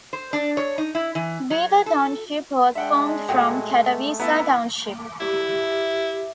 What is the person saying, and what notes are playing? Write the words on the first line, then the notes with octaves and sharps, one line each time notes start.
Beaver Township was formed from Catawissa Township.
C5
D4
C#5
D#4
E4
E3
F#3
A4
G#3 D4 E5 F#5 G5
A#2 A3 F#4 A4 F#5 G5
B3 E4 A5 A#5
E4 G4 D5 E5